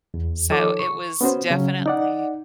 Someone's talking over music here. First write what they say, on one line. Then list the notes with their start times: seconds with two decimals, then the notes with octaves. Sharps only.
so it was definitely
0.14 E2
0.50 D#3 F3 A4 C#5 D6
0.79 C#6
1.21 B3 C#4 F#4 C5
1.50 C#3 F#3 C#4
1.86 D#4 D5 F#5